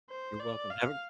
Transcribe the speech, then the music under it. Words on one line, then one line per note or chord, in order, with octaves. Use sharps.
You're welcome, have a
C5
D5
F5